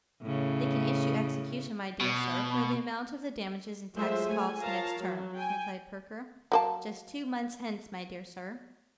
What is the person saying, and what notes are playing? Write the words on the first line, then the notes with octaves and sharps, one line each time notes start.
'They can issue execution, my dear Sir, for the amount of the damages and taxed costs, next term,' replied Perker, 'just two months hence, my dear sir.'
A2 C#3
B2
F#3 G#3 A3 F4 C5 E5
A3 G#5
F3 A#4 C#5 F5 A5 A#5
F#3
G5 G#5
F#3 A#3 A5